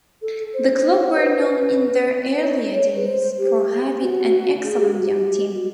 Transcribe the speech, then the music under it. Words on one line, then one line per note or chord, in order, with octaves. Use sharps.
The club were known in their earlier days for having an excellent young team.
A4
C5
C#5
C5
B4
C#5
B4
C5
G4
F#4
G#4
G4
F#4
G4
F#4